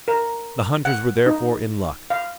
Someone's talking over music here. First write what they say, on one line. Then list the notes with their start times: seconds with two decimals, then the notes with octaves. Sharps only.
The hunters were therefore in luck.
0.08 A#4
0.85 F#5
1.26 D#4
2.10 F5